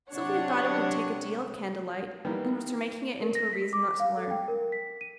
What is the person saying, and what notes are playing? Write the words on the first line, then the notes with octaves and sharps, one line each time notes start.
'Sylvia thought it would take a deal of candlelight, and was for making it into a reason not to learn.
C3 F#3 D4 C#5 F#5
D#3 E3 G3 A#3 B3
A#4
A#6
B6
D6
F5
A4
G5
A#4
B6
D#7